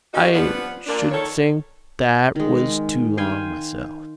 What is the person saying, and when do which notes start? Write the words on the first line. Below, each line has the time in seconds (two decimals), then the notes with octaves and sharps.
I should think that was too long myself.
0.14 G3 C#4 D#4 F#4
0.33 G2 F3 B3 B4 D5 F#5
0.87 A#2 D4
1.12 D#3 A4 C#5
2.36 D#3 G#3
3.17 C5 F5 G5 G#5